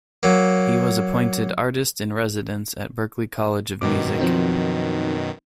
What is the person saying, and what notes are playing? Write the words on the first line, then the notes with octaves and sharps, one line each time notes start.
He was appointed artist in residence at Berklee College of Music.
F#3 A#3
F#2 B2 D#3 D6
F3 C4 D#4